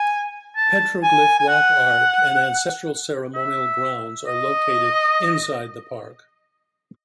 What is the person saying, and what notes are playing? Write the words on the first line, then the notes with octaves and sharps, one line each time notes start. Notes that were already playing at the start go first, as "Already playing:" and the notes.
Petroglyph rock art and ancestral ceremonial grounds are located inside the park.
Already playing: G#5
A5
G#5
G#5
F#5
E5
D#5